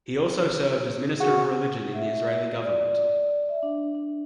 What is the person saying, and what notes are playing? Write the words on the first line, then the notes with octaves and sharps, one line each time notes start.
He also served as Minister of Religion in the Israeli government.
F#4 G#4
E5
D5
E5
D4
D4